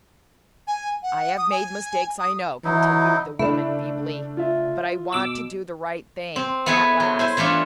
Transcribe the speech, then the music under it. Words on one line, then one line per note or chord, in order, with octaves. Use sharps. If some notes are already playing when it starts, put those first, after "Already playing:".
"I have made mistakes, I know," continued the woman feebly; "but I want to do the right thing, at last."
G#5
F#5
D#6
G#5
D#6
E3 F#3 D#4 E4
C#3 A3 D4 E4
F4 E5
B2 D6 E6 E7 F#7
C4
B3 E4 G#4 A4 B4
F#3
E4 C5 G#5
E3 A3 C#4 D4 F4